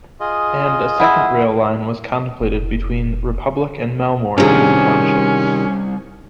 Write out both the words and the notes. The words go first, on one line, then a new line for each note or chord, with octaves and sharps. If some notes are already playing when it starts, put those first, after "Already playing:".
And, a second rail line was contemplated between Republic and Melmore in Eden Township.
F4 G#4 D#5
E4 F#5 E6
F1
C2 C3 D#3 C#4 D4 F4 G#4